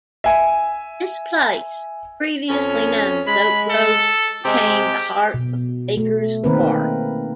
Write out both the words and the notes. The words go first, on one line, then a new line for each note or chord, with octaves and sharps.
This place, previously known as Oak Grove, became the heart of the Bakers' quarry.
E5 G#5
F2 C#4
G#3 B5
A4
C3 G#3 C4 G4
B2
A3
D#3 A#3 C4 A#4 B4